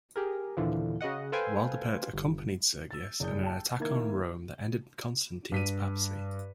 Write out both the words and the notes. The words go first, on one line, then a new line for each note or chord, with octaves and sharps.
Waldipert accompanied Sergius in an attack on Rome that ended Constantine's papacy.
G4 G#4 A#4
D#2 A#2 D3 E3 F3
C#3 F#4 D#5 F#5
A4 B4 C5 F5 G5 G#5
G1
E6 A6
F#1 G#4 D5 D#6 G6 G7
G5 A5
D#3 A#3 E4 G#6
G2 B6 D#7